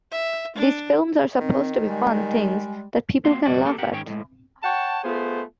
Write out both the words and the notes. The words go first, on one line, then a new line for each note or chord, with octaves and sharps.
These films are supposed to be fun things that people can laugh at.
E5
D4
D#3 C4
G3 G#3 G#5
A#3 C4 F#4 F5 C6
C#2 F#2 B2 F#4 D5
A#3 G4 A4
G4 A#4 F#5
G#2 D#3 C#4 C#5 G5
A2 G#3
C#5 F#5 G5 A5
A3 B3 F4 G#4 C5